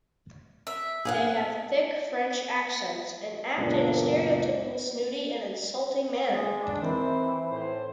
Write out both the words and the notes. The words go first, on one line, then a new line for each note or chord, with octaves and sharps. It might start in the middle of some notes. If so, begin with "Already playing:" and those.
They have thick French accents and act in a stereotypical snooty and insulting manner.
E5
G#4 F5 F#5
C#2 F#2 A#2 G#3 B3 D4
G#3
D4
D#3 E3 C4 C5
A2 C5